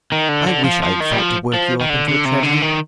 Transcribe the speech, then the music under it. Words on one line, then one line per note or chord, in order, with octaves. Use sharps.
"I wish I had thought to work you up into a tragedy."
D#3
D3
D3
F3
F3
D#3
G3
F3
F3
D#3
D3
D3
C3
D3
D#3